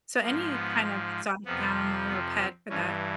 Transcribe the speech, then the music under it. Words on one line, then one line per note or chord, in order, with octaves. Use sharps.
so, any kind of exotic animal or pet for that
G#2 F3 A#3
B3
F2 C3 F3 B3
B3
C4
G2 E3 C#4